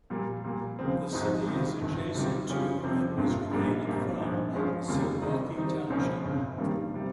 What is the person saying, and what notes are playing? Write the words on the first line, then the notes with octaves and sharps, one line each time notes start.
The city is adjacent to and was created from Zilwaukee Township.
A#2 G3 A#3
A#2 G3 A#3
D#2 C#3 F3 C4
G#1 G#2 F3 C4 D#4
C#2 C3 D#3
G1 G2 D#3
C#2 C3 D#3 G3
F2 C#3 G3 C#4 F4
F2 C3 F3 C4
G1 G2 G3 A#3 F4
A#1 G#2 G3 A#3
G#1 G2 G3 A#3
A#1 G#2 F3
G2 F3 G#3 C#4 F4
F1 D#2 C#3 G3 A#3
C#2 C3 D#3 G#3 D#4
F2 D#3 G3 C4 D#4
C#2 C#3 F3 A#3 C#4
G1 F2 C#3
G2 D#3 G3 A#3
C3 G3